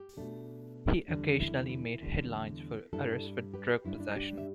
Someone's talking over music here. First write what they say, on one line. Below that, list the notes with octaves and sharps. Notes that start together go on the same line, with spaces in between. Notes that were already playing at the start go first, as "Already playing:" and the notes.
He occasionally made headlines for arrests for drug possession.
Already playing: G4
B2 A3 D4
E2 D3 G3 D4
E4
E4
E2 D3 G3
G2 G3 D4 E4 A4
G4 B4
G2 G3 D4 E4
D4
E4
D4 G4
E5